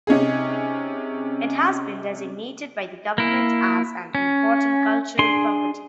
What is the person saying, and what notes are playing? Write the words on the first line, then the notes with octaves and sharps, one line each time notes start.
It has been designated by the government as an Important Cultural Property.
C3 C#4 D#4 G#4
A#3 E4
C#4
D4 G#4 C6